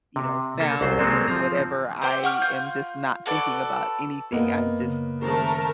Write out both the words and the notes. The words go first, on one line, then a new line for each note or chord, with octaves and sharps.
you know, sound, and whatever, I am just not thinking about anything, I'm just
C3
A#3 A4
C2 F#3 C5
F#3 G#3 A#3 C4 A4
F3 C4 A#5
G4 C5 E5 G5
F#5 C#6 F6
F4 G6
F#4 A4 B4 D5
F#2 A#3 B3 D#5
C#3
D#3 A3 C#4 A#4 C5 A5